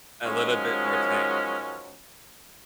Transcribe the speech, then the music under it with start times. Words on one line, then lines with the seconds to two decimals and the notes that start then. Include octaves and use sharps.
a little bit more tame.
0.25 D#3 F3 F#3 G#3 C#4